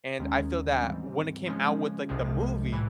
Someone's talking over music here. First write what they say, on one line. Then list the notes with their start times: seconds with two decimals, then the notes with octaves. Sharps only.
and I feel that when it came out with, like, the movie,
0.19 D#2 D#3 G#3 C#4
0.82 G#2 E3 G3 C4
1.45 C#3 F3 G#3 C#4
2.09 C2 C3 F3 G#3
2.72 A2 E3